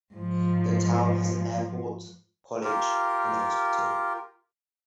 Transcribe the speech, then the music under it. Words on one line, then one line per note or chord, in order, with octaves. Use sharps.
The town has an airport, college, and a hospital.
G#2 F3
F4 G4 A#4